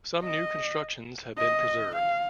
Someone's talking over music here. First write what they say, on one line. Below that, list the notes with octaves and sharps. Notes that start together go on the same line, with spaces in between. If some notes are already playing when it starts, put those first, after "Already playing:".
Some new constructions have been preserved.
D#5
D#5
F5